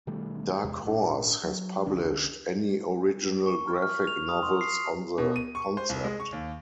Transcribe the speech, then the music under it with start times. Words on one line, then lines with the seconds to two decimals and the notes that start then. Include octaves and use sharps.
Dark Horse has published any original graphic novels on the concept.
0.07 B2 D#3 G3 A3
0.64 E2 C3 G#3
0.83 G#1 A#2 D#3 D4
1.43 F#3
1.86 C2 D3 C#4 D4
3.46 C#6
3.68 F6
3.82 F6
4.07 F7
4.29 D#6
4.43 C6
4.61 C7
5.18 B2
5.36 D#7
5.55 C#6
5.77 C5
5.89 C2
6.04 G#3
6.20 C#6
6.33 D#2